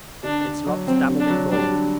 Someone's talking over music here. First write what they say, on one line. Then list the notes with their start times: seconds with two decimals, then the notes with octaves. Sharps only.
Its locks dabbled in gore.
0.23 D3 D4
0.45 D3
0.67 F#3
0.87 F#3 C4
1.09 D3
1.20 D4
1.30 F#3
1.52 G3 D4
1.72 D3